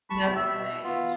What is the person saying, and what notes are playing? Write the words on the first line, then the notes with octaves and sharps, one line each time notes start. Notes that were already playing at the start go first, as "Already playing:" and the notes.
Nothing changed.
A5 B5 C#6
E2 C3
E5 E6
B2
B3 F4